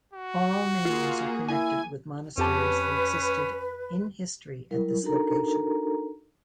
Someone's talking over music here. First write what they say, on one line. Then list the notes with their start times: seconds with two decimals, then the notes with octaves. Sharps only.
All names are connected with monasteries that existed in history at this location.
0.13 F#4
0.85 A#3 F4 G#4
1.48 E4 G#5
2.38 F2 C#4 G4 B4 A5
4.71 F#3 G3 E4 A#4
5.03 D4 D#4 F#4 A4 A#4 A#5